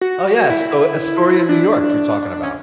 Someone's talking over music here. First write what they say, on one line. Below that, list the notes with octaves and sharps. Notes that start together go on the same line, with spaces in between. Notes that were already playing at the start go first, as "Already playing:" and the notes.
Oh, yes. So, Astoria in New York, you're talking about.
F#4
E4
D4
C#4